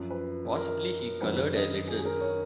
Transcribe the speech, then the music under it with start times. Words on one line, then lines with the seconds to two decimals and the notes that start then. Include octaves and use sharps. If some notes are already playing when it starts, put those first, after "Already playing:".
Possibly he coloured a little.
Already playing: F#2 F3
0.10 B4
0.56 A#4
1.21 F#2 D#3 F#3 B4
1.55 D#5
1.88 G#4
1.99 G#4
2.05 A#4
2.21 C#5